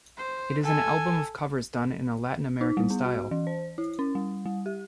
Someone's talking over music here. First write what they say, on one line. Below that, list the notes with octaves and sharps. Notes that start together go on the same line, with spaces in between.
It is an album of covers done in a Latin American style.
C5
A4 G#5
D#4
G3
B3
F#4
E3
C5
E4
C#4
G3
G3
G4